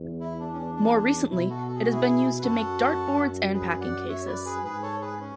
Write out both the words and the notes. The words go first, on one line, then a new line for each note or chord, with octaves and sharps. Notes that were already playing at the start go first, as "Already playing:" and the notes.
More recently, it has been used to make dart-boards and packing cases.
Already playing: E2
E4
D4
C#4
D4
D4
B2 E4
F#4 A4
A4
G#4
F#4
E4 G#4
B4
F#2 F#4 A4
G#4 B4
D5 F#5
C#5 E5
B4 D5
G#4 B4
G#2 G#4 B4
A4 C#5
G#4 B4
C#4